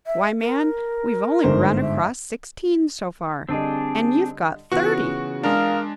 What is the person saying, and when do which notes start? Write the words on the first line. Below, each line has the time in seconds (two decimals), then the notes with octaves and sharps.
Why, man, we've only run across sixteen so far, and you've got thirty.
0.07 E5
0.41 A#4
1.44 G1 G#2 C5
1.81 E5
3.49 D3 G3 C4 D4 G#4 D#5
4.72 C#3 E3 B3 F4 F#4 F#5 C#6
5.43 G#3 D4 G#4 A#4 F5